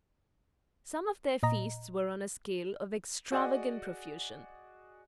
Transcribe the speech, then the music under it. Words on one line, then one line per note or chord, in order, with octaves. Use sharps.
Some of their feasts were on a scale of extravagant profusion.
A#2 D#5 A#5
F#4 G#4 D5 D#5 F#5